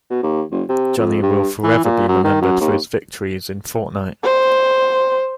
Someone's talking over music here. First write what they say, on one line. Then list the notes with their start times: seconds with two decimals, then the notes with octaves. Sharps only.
Johnny will forever be remembered for his victories in Fortnite.
0.10 B2
0.23 D#2
0.52 F#1
0.69 C3
0.98 F2
1.23 G2
1.64 E3
1.84 A#2
2.08 F#2
2.24 D#3
2.42 F#2
2.60 D#2
4.24 C5